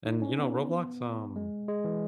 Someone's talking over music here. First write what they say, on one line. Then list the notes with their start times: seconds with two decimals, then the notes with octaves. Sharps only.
And, you know, Roblox, um
0.05 D#4
0.22 C#4
0.38 B3
1.36 G#3
1.68 G#3
1.84 E3